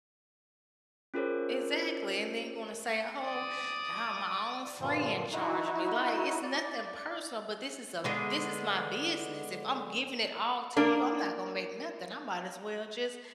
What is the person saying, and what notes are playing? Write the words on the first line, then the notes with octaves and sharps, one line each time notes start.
Exactly, and then you wanna say, "Oh, to have my own friend charging me," like, it's nothing personal, but this is a this is my business. If I'm giving it all to you, I'm not gonna make nothing. I might as well just
C#4 F4 G#4 A#4 C5 C#5
D5 D#6
G2 A#2 D3 F3
D#4 E4 F#4
D5
D3 G#3 B3
A#3 D4 A#4